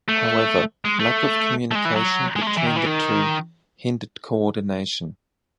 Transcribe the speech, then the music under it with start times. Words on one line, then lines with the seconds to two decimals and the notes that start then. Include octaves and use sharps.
However, lack of communication between the two hindered co-ordination.
0.08 A3
0.85 G#3
1.00 A3
1.71 A3
1.75 G#3
1.85 E3
1.96 F#3
2.36 G#3
2.41 A3
2.47 G#3
2.57 E3
2.66 D#3
2.76 E3
2.86 D#3